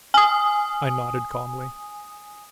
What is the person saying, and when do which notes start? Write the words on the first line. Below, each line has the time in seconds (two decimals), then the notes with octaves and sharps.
I nodded calmly.
0.14 G#5 D#6